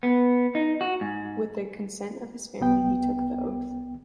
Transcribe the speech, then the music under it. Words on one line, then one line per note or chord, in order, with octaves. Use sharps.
With the consent of his family, he took the oath.
B3
D#4
F#4
G#2
C2 B3 G5